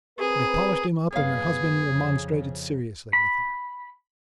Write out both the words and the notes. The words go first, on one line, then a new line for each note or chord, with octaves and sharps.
They polished him up and her husband remonstrated seriously with her.
C4 G#4 A#4 B4
F#1 B3 G#4 C#5 F5
F2 C#3
B5